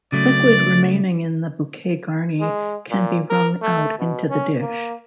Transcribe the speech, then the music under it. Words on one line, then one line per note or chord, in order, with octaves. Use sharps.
Liquid remaining in the bouquet garni can be wrung out into the dish.
C#3 F#3 A3 D5
G#3
A#2
A#4
A3
B2
C#4
A#3